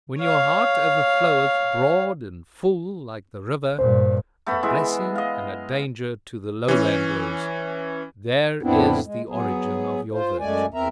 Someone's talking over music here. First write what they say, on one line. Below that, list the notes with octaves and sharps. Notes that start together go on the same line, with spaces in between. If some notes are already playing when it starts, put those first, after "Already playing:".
When your heart overfloweth broad and full like the river, a blessing and a danger to the lowlanders: there is the origin of your virtue.
C#5 F5
G2 A#2 C5
A3 B3 B5
E3 G#3 E5
D#5 F5
E3 C#4
F2 A2 B3 C4 D4 E4
G#3
F#3 B3 G#4
F4 C5
F#2 G#3 A3 D5 G#5
E2 C4 A#4 E5 A#5